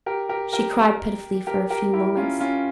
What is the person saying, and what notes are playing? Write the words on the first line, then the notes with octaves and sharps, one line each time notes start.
She cried pitifully for a few moments.
G4 A#4
G4 A#4
G4 A#4
G4 A#4
G4 A#4
E4 G4
C#4 F4
C#4 F4